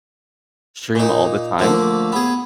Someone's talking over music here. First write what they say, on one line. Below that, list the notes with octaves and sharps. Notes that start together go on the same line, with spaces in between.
stream all the time,
A#2 D#4
D3 F3 A3 A#3
B3 G#4